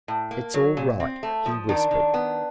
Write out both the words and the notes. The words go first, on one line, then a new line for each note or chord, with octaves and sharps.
"It's all right," he whispered.
A2
A#3
F#3
A#2
C4
A3
F3
D#3 D4
D#3
B3